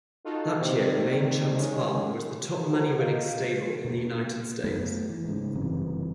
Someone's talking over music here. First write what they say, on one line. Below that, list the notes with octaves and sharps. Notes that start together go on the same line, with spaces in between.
That year, Maine Chance Farm was the top money-winning stable in the United States.
D#4 F4 F#4 A4
C3 D#3 G3 A3 A#3 C4
D#3 G#3 C#4
E4 F#4 A4 A#4 C5 A#5
A#4 D#5 F5 G6
B2 A#3 D4
F#2 A3 B3
E3
G#2 C#3
F#1 G2 C3 E3